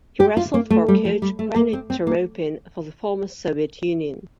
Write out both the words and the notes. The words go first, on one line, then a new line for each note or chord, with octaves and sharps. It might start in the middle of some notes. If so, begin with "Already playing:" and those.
He wrestled for coach Granit Taropin for the former Soviet Union.
G4
F4
A#3
A3
G3
F3
G3
A3
A#3
C4
C4
A#3